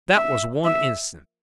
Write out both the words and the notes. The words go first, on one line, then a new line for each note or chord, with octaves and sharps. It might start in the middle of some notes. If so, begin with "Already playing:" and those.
That was one instance.
E5
E5